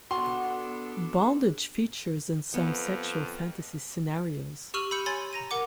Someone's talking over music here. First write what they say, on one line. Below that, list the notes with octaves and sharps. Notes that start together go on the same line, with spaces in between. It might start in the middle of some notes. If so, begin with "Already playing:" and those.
Bondage features in some sexual fantasy scenarios.
B3 D4 F#4 A4 C6
F2 B3
G4 C#6 E6 F6 D#7 F#7
B5 E6 G6 C#7
C#5 G#5 B5 C6 G#6 A6
A#5 A#6 D#7
A#4 F#5 D6